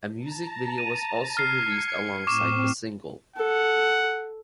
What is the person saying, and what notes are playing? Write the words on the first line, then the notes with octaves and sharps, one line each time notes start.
A music video was also released alongside the single.
A5 A#5
D#7
F6 G#6 C7 C#7
A2 C4 C#6 D6 E7
A4 F#5